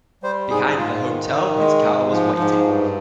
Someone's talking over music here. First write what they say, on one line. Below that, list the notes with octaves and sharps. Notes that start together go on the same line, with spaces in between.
Behind the hotel his car was waiting.
G3 C5
G#2 G#4
G#2 F4
D#3
D#3
G#3
G#2
F3
G#2
G2